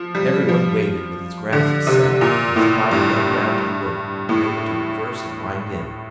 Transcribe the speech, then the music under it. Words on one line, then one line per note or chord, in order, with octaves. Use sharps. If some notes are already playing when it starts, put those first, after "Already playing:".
Every one waited with his grasp set, and his body bent down to the work, ready to reverse and wind in.
Already playing: F3
G3
F3
D3
C3
A#2
A2
G2
A2